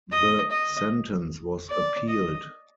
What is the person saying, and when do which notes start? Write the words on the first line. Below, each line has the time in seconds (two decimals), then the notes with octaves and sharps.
The sentence was appealed.
0.11 D#5
0.51 D#5
1.69 D5
2.09 D#5